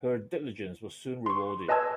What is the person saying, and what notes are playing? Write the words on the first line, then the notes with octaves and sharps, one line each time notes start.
Her diligence was soon rewarded.
C6 C#6
B4 D#5 G#5 A5 E6 G#6